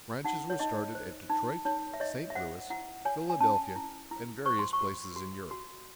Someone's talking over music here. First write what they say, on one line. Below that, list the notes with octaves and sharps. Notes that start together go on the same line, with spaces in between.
Branches were started at Detroit, St. Louis, Philadelphia, and various places in Europe.
D#4 F#5
C#5
D#4 D#5
C5
D#4
D#4 C#5
E5
C#5 D#5
E5
C5 F#5
E4 F#5
C#5 G#5
G#5
C#4 A5
E4
E4
C5 C#6
C6
C#6
F#4
F#4
F#4